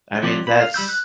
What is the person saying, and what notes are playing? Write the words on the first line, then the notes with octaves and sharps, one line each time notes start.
I mean, that's,
F3 F#3 C4 G4 D5
B5
F5
G3 B5 E6 G6
F#6